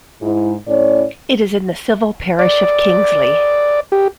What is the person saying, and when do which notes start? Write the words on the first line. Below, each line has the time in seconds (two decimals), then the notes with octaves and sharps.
It is in the civil parish of Kingsey.
0.22 G#2 E4
0.67 A2 C#4 E4 C#5 D5
2.39 D5
3.92 G4